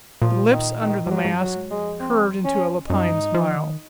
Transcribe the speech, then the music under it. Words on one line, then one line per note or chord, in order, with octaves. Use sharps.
The lips under the mask curved into a lupine smile.
A#2 F3
D#3
D#3
F#2
G#2 F#3
G#2
F#2
F#3
G#2
F#2 G#3
F2
C4
C#4
F#2 D#4
G#2
F3
D#3